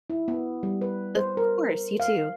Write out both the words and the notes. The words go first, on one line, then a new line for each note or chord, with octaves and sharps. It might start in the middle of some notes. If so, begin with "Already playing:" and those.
Of course, you too.
E4
B3
G3
B4
C5
A#4
F5